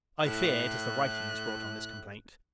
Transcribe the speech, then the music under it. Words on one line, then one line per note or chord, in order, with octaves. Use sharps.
I fear, it is the writing has brought on this complaint.
A2 F#6